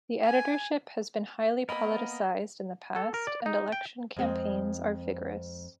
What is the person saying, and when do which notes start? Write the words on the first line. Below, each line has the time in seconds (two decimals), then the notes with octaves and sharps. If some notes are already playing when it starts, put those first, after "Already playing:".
The editorship has been highly politicised in the past, and election campaigns are vigorous.
0.25 G#5
1.69 A#3 B3 A#4 D#5 B5
2.96 A4
3.14 A#4
3.27 D5
3.46 D#4
3.72 G5
4.16 F2 G#3 C4